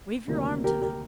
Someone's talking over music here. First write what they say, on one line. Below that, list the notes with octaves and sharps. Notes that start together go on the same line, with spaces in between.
"Wave your arm to them."
D2 C3 D#3 G3 A#3
G4 A#4
G4 A#4